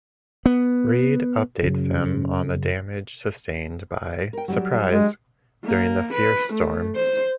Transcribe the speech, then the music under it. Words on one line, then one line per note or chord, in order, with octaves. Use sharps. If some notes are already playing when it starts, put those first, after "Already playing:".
Reade updates them on the damage sustained by "Surprise" during the fierce storm.
B3
F#2 C#3
A#4 G5
F#3 G3 D4
G#3
A#3
B4
A3
C5